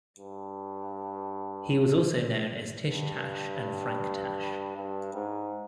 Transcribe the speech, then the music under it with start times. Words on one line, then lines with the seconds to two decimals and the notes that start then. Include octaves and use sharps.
He was also known as Tish Tash and Frank Tash.
0.19 G2
2.86 G2
4.76 G2
5.14 G#2